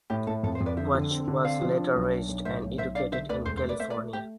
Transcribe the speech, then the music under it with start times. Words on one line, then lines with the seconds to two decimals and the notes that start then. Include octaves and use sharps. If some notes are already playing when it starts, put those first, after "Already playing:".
Quach was later raised and educated in California.
0.10 A2 G4
0.27 A2 A4
0.43 F2 A4
0.55 C5
0.61 F2
0.66 B4 D5
0.77 D3 C5 E5
0.94 D3
1.11 C4
1.28 D3
1.44 C4 D5 F5
1.61 F3
1.78 D4
1.95 B1
2.12 D4
2.28 B1
2.45 A2 C5 E5
2.62 B1
2.78 B1 C5 E5
2.95 D4 D5 F5
3.12 D3 C5 E5
3.29 D2 B4 D5
3.46 E1 C5
3.57 C5
3.62 A3
3.69 B4 D5
3.80 A3 C5 E5
3.90 B4 D5
3.96 A3
4.13 A3 G4